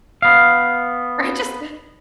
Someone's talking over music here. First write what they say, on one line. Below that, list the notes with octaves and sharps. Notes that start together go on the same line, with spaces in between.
I just
B3 F5